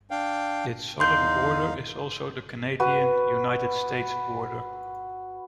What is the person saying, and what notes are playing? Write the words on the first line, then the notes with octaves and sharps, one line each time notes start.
Its southern border is also the Canada-United States border.
D4 F5 G5
E2 D#4 F5 C6 G6
F#4 B4